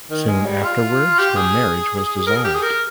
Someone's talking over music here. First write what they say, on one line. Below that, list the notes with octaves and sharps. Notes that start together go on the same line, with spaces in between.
Soon afterwards her marriage was dissolved.
D#3
G#3
G3
F4
G4
G#4
A#4
G#4
G4
G#4
A#4